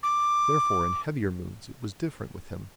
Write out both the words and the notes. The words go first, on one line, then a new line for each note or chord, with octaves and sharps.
Therefore in heavier moods it was different with him.
D6